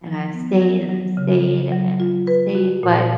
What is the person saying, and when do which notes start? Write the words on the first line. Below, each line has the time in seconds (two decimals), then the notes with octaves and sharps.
and I've stayed, and I've stayed, and I've stayed. But,
0.07 F3
0.34 B3
0.62 F#3
0.89 F#3
1.17 C#3
1.44 C#3
1.72 F#3
2.00 F4
2.27 B4
2.55 F#4
2.83 A#2